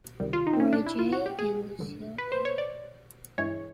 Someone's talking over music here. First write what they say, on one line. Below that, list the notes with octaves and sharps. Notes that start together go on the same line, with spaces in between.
Roy J. and Lucille A.
C#2 C3 D#3 G3
F4
D#4
C4
C#4
D4
E4
F4
F#4
G4
G#4
A1 G2 D3
B4
C5
C#5
D5
G2 E3 G#3 C#5